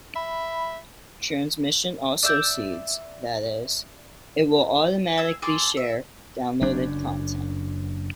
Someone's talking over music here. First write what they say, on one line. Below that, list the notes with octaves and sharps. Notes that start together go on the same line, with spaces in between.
Transmission also seeds, that is, it will automatically share downloaded content.
E5 B5
D5 E5 G6
G#4 E6
G#4 A4 C6 D6
E5
F#1 F#2 D4